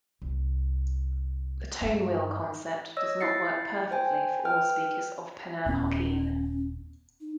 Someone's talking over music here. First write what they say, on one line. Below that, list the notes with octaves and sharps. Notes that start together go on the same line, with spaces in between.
The "tone wheel" concept does not work perfectly for all speakers of Penang Hokkien.
C2
G2
C#5 D#5 E6
E4 A6 C7 C#7
C5 G5 G#5
B4 G5 F6
D#1 B3 C#4
D#4